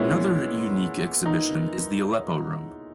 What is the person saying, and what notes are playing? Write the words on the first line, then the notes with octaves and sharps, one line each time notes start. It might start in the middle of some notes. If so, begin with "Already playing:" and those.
Another unique exhibition is the Aleppo room.
Already playing: A#2 G#3 B3 C#4 E4
D#4